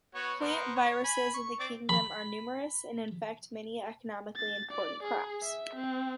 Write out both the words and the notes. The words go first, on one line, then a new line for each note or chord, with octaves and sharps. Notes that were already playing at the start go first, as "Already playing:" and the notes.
Plant viruses in the kingdom are numerous and infect many economically important crops.
B3 F#4 C#5
B3 A#4 C5
C#5
G#5 B5
C#6
C4 D5
B5
A6
D5
G#4
E5
C4